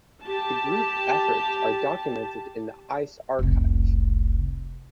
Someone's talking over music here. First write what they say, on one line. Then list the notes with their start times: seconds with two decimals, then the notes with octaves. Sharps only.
The group efforts are documented in the Eiss Archive.
0.23 G4 A5
3.39 F1 C2